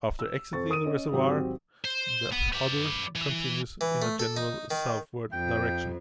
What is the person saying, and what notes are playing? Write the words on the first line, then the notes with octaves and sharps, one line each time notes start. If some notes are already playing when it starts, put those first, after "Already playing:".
After exiting the reservoir, the Hodder continues in a general southward direction.
E6
F2 C5 C#6 A6
A#4 D#6 D7 D#7
C#4 D#5
G#1 F#3 C4 G4
C5
B3
B4 D5
E3
E3
A3
A4
D#4
D#3
F2 G5